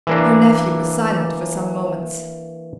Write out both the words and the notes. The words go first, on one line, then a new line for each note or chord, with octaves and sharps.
Her nephew was silent for some moments.
E3 A#3 D4